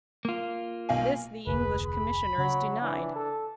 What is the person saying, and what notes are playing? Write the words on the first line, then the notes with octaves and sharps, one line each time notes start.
This the English Commissioners denied.
A#3 F4
B1 F5 G#5
F1 D2 G#4 B4
B5
C#3 F#3
E3 D4
A4